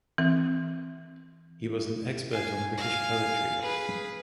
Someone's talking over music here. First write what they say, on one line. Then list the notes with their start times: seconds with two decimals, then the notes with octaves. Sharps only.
He was an expert on British poetry.
0.18 E3 C4
2.31 F5 G#5
2.78 F5 G#5
3.61 G#4 B4